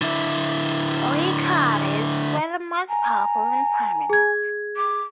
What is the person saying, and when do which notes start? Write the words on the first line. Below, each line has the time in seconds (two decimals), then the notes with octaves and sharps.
Lichohavis were the most powerful and prominent.
0.02 D3 E4
2.88 G#5 A#5
4.10 G#4 G#6
4.77 D6